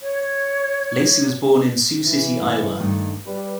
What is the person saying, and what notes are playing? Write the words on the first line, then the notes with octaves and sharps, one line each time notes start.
Lacy was born in Sioux City, Iowa.
C#5
E3
C3 A3 C5
G2 D#3 A3
G3 B4